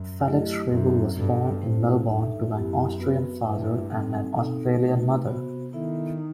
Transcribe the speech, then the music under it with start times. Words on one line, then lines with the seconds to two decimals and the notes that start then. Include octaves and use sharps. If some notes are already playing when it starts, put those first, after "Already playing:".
Felix Riebl was born in Melbourne to an Austrian father and an Australian mother.
Already playing: F#2
0.25 F#3 A3 E4 G4 D#5
0.70 F#2 F#3 C4 D#4 A4 E5
1.16 G2 B3 F#4 A4
1.61 A2 A3 C4 E4 A4 C5
2.07 G2 D#4 A4 E5
2.53 F#2 B3 E4 G4
2.98 B3 F#4 B4
3.44 G2 A3 E4 B4 E5
3.91 G3 C4 D#4 A4
4.35 B2 C4 D#4 A4
4.82 C3 A3 D#4 F#4 B4
5.27 B3 F#4 C5
5.73 D#3 B3 E4 A4 E5
6.18 D#4